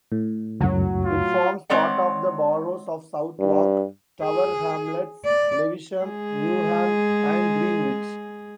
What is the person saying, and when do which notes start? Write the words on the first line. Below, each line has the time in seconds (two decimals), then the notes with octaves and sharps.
It forms part of the boroughs of Southwark, Tower Hamlets, Lewisham, Newham and Greenwich.
0.12 A2
0.60 C#2 F#2 F#3
1.05 F4
1.70 G#3 C4 C#5 D5 F#5
3.40 G2
4.23 G#4
5.25 D5
6.02 G#3 G#4